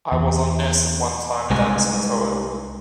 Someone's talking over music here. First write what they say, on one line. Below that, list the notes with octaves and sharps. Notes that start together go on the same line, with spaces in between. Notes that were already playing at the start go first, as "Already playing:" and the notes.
I was on acid one time dancing to it.
E2
C2 G2 G#3 G#5